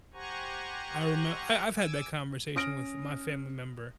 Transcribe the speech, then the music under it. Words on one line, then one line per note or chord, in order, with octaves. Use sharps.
I remember I I've had that conversation with my family member
G4 C5 F#5 G#5 A#5 C#6
G#5 D6 E6
C#4 D#6 F6 A#6 D7